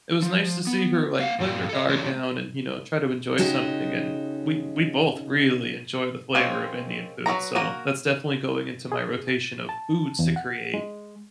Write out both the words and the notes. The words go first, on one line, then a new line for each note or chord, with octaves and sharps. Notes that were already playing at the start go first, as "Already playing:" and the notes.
it was nice to see her, like, let her guard down and, you know, try to enjoy something, and we we both really enjoy the flavor of Indian food, so that's definitely going into my rotation of foods to create.
F3
B3
A#3 F5 F#5
G2 A#2 F4 G4
A4 D#5
A#2 E3 G#3 A3 C#4 D4
C#3 G#3 D#4 F#4 G4
G#3 A#3 C4 C#4
F#3 F#4 B4 A#5
A#3 F#4 A#4
G#4
A6
A5
E2
F#5
G#3